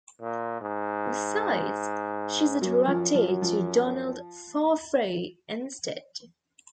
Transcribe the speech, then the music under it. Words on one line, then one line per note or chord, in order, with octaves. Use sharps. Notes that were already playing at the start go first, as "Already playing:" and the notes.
Besides, she's attracted to Donald Farfrae instead.
A#2
G#2
F#2 F#3
F3
F3
F#3
F3